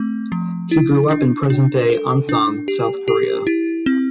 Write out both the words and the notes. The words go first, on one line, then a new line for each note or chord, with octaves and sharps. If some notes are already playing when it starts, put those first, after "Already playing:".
He grew up in present-day Ansan, South Korea.
Already playing: A3 C4
F3
E4
D4
D4
A4
D4
G4
G4
E4
C4